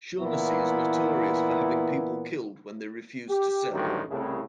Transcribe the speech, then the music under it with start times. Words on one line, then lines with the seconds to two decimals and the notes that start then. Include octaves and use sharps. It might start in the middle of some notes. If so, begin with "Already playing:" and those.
Shaughnessy is notorious for having people killed when they refuse to sell.
0.20 A#2 E3 B3 E4
3.29 G4
3.72 A1 D2 G2 D#3 F#3 G3
4.09 C2 A2 C#3